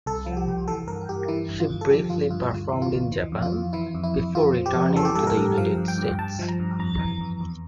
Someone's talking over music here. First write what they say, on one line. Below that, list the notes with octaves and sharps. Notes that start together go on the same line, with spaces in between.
She briefly performed in Japan before returning to the United States.
C2 A4
F3
G4
C2
E3 A4
G2 A#4
G2 G4
E3 E4
G2
F4
G2
A4
F3 G4
G2 F4
G2 F4
D2 F4
E3
F4
D2
E3
F2
F4
F2
E3 E4
F2
E4
F2
F2 F4
F3
G4
F2
E3 A4
G4
G2 A4
A#4
G2
F3 F5
G2
G5
G2
G2 A5
F3
A#5
G2
F2 A#5
E3
F2
E2